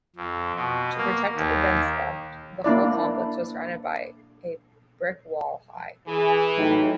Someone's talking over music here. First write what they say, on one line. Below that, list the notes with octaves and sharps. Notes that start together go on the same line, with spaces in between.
To protect against theft, the whole complex was surrounded by a brick wall high.
F2
B2
A#3
D#2
A#3 D4 E4 D5
E3 G#4
A2 F#3 D#4 G4